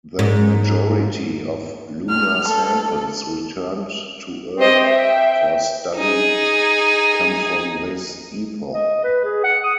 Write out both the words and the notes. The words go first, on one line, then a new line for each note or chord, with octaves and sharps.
The majority of lunar samples returned to earth for study come from this epoch.
G#2
F6
A4
C4 G4 C5 D#5
E5 G5
D#4 G#4
D#5
B4
G#4
F#5
D#6